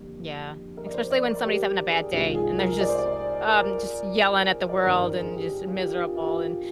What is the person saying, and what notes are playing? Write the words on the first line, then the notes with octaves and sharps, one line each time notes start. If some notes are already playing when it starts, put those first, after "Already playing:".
Yeah, especially when somebody's having a bad day, and they're just um, just yelling at the world and just miserable, and,
Already playing: F2 D3 G3 A#3
A#4
D5
C5
D5
A#4
G4
G#4
C2 C3 D#3 G#3 F4
G#4
A#4
D5
C5
D5
A#4
D5
C5
G#1 G2 D#3 A#4
A#4
G#4
G4
F4
G4
F4
F4
G4